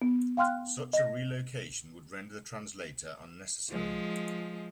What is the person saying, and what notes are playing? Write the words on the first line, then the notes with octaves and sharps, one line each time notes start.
Such a relocation would render the translator unnecessary.
B3
F5 G5 C6 F6 F#6
D#5 A#6
F3 G#3